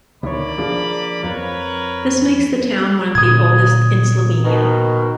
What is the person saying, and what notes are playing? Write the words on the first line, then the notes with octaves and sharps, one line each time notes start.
This makes the town one of the oldest in Slovenia.
D2 D#3 A#3 C#5 D5 B5
F3 D4 G#4
F2 A#4 B4 C#5
A#2 D3 D#6 G#6
B2 D#3